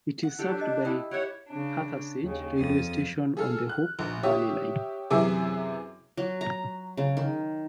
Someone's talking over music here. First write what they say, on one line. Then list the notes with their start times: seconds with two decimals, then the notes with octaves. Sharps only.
It is served by Hathersage railway station on the Hope Valley Line.
0.23 F#5
0.39 D4 G4 A4
0.61 D#4 D#5
0.85 E4 A4 G5
1.11 G4 C#5 E5 F#5
1.50 C#3 D4
2.22 D#2 C#3
2.57 F2 D#6 A6
3.37 G#4 A4 F6
3.69 F#6
3.99 A#1
4.23 G4 C#5 E5 D#6
5.10 F#2 C3 E3 G#4 E5 D6
6.17 F#3
6.41 A#5
6.97 C#3
7.17 D#3